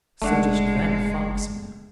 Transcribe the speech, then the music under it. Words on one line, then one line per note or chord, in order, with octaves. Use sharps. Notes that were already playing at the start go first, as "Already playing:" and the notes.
So just then a Fox met him.
F#1 G#3 A3 D4 F#5